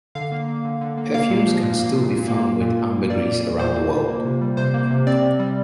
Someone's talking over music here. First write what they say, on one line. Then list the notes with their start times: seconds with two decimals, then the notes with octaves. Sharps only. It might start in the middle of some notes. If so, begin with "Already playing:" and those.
Perfumes can still be found with ambergris around the world.
0.15 D3 F5
0.32 A#3
0.48 A#3
0.65 D3
0.81 D3
0.97 A#3
1.14 A#3 F5
1.30 A#2
1.46 F3
1.63 A#2
1.79 A#3
1.95 A#2
2.12 A#2
2.28 A#3
2.45 A#3
2.61 A#2
2.77 A#2
2.94 A#3
3.10 A#3 D5
3.26 A#2
3.43 G3
3.59 A#2 C5
3.75 A#3
3.92 A#2
4.08 A#3
4.25 C3
4.41 G3
4.57 C3 C5
4.74 A#3
4.90 C3
5.07 C4 D5
5.23 C3
5.39 G3